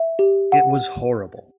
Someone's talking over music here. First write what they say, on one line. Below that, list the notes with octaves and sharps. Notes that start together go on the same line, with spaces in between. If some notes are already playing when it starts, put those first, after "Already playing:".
It was horrible.
Already playing: E5
G4
F#5